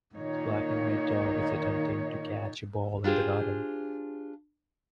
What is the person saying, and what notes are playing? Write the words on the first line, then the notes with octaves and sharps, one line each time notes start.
The black and white dog is attempting to catch a ball in the garden.
A#2 D#3 A#3 D#4 C#5
D4 F4 G4 G#4 C5